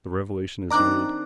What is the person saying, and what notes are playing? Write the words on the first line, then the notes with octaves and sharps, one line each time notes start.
The revelation is made.
D#3 C4 D4 A#5 D6 F#6